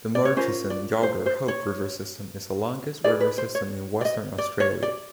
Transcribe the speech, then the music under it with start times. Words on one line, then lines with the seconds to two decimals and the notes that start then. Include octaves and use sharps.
The Murchison-Yalgar-Hope river system is the longest river system in Western Australia.
0.15 D5
0.25 C#5
0.37 C#4 F4 A#4 C5
0.70 D5
1.03 C5
1.26 C5
1.48 C#5
3.04 D#4 G#4 B4 D5
3.21 B4
3.38 C5
3.55 C#5
4.01 D5
4.05 D#5
4.38 D5
4.60 C#5
4.82 D5